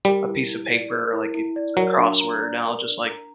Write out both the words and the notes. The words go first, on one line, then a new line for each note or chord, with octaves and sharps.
a piece of paper, like, if it's a crossword, and I'll just, like,
G3 A#4
E4
E4
D5
A#4
E4
E4
D5
F#3 A#4
D4
A#5
D5
A#4
D4
A#5